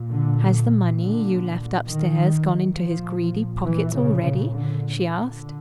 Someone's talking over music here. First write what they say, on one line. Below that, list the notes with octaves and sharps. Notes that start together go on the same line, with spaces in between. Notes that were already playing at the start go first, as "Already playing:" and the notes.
"Has the money you left upstairs gone into his greedy pockets already?" she asked.
Already playing: A#2
D3
D3
D#3
A#2 F3
E3
C#3
C#3
D3
D3